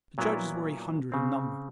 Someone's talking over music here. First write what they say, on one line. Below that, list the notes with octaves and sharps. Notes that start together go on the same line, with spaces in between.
The judges were a hundred in number.
A#2 F#3 A#3 B3 D4 E4
C#3 C4